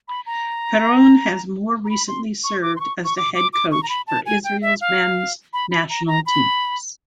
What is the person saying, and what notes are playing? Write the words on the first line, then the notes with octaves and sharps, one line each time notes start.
Perron has more recently served as the head coach for Israel's men's national teams.
B5
A#5
A#5
B5
C6
C#6
D6
C6
C#6
C#6
D6
D6
D6
C#6
A#5
B5
A5
G#5
G5
E5
F5
B5
B5
A#5
A#5
B5